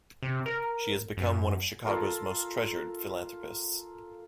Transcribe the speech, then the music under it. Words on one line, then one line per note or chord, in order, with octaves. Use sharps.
She has become one of Chicago's most treasured philanthropists.
C3
A#4
F#2
F4 A4 A#4 F5